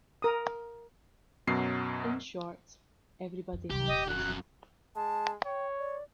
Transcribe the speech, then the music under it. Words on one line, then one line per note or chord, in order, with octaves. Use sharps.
In short, everybody has his.
A#4 D#6
F#2 B2 F#3 C7
F2
C2 F#2 G4
D#1 D#5
F2 F#3 F#6
G#3 A5
C#5 G5
D5